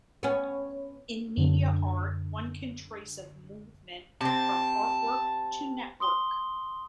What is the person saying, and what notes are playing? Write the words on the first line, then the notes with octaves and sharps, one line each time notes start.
In media art, one can trace a movement from artwork to network.
B3 C#4
F#2 D3
C3 C4 A5
C6 D#6 G7